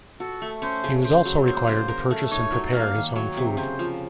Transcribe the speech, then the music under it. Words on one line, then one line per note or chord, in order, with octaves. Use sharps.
He was also required to purchase and prepare his own food.
F#4 A4
A3
C#4 C5
C#3
C#3 C5
F#3
A#3 C5
C#3
A#4
A3
D#4 C#5
F#3
A#3 F5
D#3
F#3 C#5
C3
C#3 C5
F3